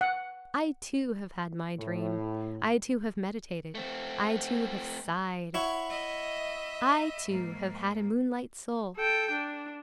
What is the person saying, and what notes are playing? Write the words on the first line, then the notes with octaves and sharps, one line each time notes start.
I, too, have had my dream, I, too, have meditated, I, too, have sighed; I, too, have had a moonlight soul.
F#5
A2
A3 C4
E4 C#5 F#5
D#5 E5
G#2 A#3
A4 G5
D4